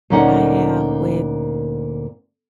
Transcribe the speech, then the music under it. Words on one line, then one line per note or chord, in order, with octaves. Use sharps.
I have with
D2 A#2 A#3 C#4 D#4 F#5